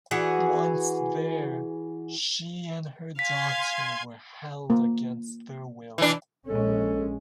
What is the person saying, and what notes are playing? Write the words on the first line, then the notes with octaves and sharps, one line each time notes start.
Once there, she and her daughter were held against their will.
E3 F#4 G#4
F5 G#5 C6 G#6 B6
A#3
E3 D4
A#1 G#3 C#4 A4